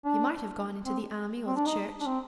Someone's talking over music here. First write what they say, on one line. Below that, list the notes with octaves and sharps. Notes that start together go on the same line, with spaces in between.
You might have gone into the army or the Church.
D4
C4
C4
D4
D#4
D4
C4